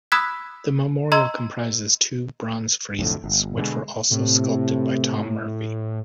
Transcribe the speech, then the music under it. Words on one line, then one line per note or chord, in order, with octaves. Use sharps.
The memorial comprises two bronze friezes, which were also sculpted by Tom Murphy.
B5 D#6 E6 F#6 G#6 B6
D#5 A#5 C6 E6 G#6
B1 F2 A2 D3
G1
B2 D3 F#3 G#3
A2 C3